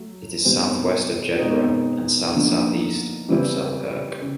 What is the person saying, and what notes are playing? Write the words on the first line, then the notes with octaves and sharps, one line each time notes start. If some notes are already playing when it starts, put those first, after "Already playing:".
It is south-west of Jedburgh and south-southeast of Selkirk.
Already playing: F#3 A3
B2 G3 C4 D#4
B2 G#3 C4 D#4
D3 F3 A#3 D#4
C#3 E3 G3 C4 E4
C#3